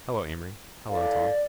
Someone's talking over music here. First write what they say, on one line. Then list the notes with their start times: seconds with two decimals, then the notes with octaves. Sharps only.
"Hello, Amory--hello, Tom."
0.90 E4 A4 D5 F5